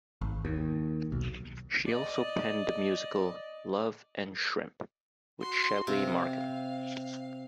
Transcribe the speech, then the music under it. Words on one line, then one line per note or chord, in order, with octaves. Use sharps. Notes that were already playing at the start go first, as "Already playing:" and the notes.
She also penned the musical "Love and Shrimp" with Shelly Markam.
G#1
D#2
B1
D5 D#5
F#4 C6
C3 F5